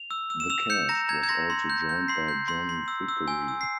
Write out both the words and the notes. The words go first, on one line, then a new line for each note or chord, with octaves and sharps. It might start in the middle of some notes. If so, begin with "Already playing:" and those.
The cast was also joined by John Vickery.
Already playing: F7
E6
E6
E7
E6 F7
G6 C#7
A#5 A#6
A#5 G#6
G#6
C6 A#6
C6
G6
G6
C6 C7
G6
C6
C6
E6
E6
G#5
E6
C7